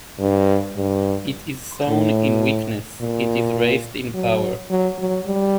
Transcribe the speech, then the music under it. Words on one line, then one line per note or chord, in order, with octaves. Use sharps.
It is sown in weakness, it is raised in power.
G2
G2
A2
A#2
F#3
F#3
F#3
G3